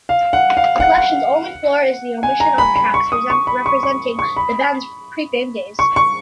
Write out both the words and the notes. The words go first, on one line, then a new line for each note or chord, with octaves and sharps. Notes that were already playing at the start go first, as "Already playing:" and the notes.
The collection's only flaw is the omission of tracks representing the band's pre-fame days.
F5
F#5
F5
F#5
G#5
A#5
B5
B5
C#6
D#6
C#6
B5
C#6
C#6
C#6
B5
C#6
C#6